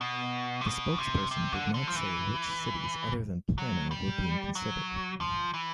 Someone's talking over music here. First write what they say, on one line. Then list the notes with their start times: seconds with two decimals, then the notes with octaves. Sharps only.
The spokesperson did not say which cities other than Plano were being considered.
0.01 B2
0.61 C3
0.66 B2
0.98 C3
1.31 C3
1.53 D3
1.74 D3
1.87 F3
1.96 E3
3.58 F#3
3.91 G3
4.55 F#3
5.21 F3
5.54 E3